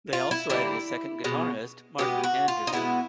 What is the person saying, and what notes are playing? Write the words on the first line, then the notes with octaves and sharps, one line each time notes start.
They also added a second guitarist, Martin Andersson.
F4
E4
D3 G3 A#3 E4
B2 G#3 B3
B2 G#3 B3 G4
F#4
F4
D#4
B2 G#3 B3 E4